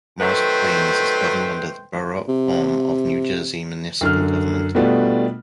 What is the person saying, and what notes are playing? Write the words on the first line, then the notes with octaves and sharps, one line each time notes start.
Morris Plains is governed under the Borough form of New Jersey municipal government.
D#3 F#3 A3 B4 C5 G5
C3
F#2 D3 F6
B2 G3 A3 B3 D4 F4